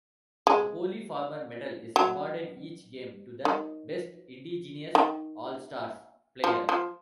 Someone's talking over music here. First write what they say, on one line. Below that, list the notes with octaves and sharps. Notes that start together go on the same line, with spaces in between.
The Polly Farmer Medal is awarded each game to the best Indigenous All-Stars player.
G#3
F#3
D#3
D#3
F3
F3